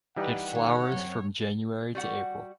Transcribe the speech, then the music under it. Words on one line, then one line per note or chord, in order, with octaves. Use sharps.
It flowers from January to April.
E3 G3 D#4 G4 B4 F#5
D3 D#3 C#5
F#2 C4
G3 F#4 F#5